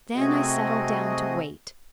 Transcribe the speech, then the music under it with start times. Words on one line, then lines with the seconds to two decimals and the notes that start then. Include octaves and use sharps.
Then I settled down to wait.
0.14 C3 A3 C4 F#4 G#4 D#5